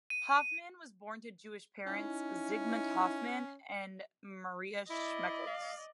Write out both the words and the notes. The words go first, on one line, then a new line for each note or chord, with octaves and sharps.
Hoffman was born to Jewish parents Zygmunt Hoffman and Maria Schmelkes.
D#7
C#4 D#4 E4
E4 D5 D#5
F5